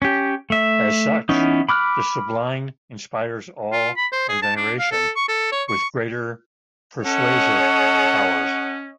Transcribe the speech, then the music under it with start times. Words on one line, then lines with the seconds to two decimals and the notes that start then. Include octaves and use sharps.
As such, the sublime inspires awe and veneration, with greater persuasive powers.
0.02 C#4 G4
0.50 A3 E5
1.29 E3 B3 C#4 D#4
1.69 B5 D6 F6 F#6
3.72 F4
3.97 B5
4.12 C5
4.29 G#4
4.42 A5
4.56 D4
4.79 F5
4.92 A4
5.16 C#6
5.28 A4
5.52 C#5
5.68 C#6
7.05 C#4 A4 C#5 D#5 F#5